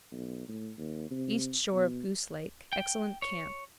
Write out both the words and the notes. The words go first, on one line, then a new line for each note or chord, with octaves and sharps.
East shore of Goose Lake.--Excellent camp.
B1
A2
D#2
C3
B2
G5
C#5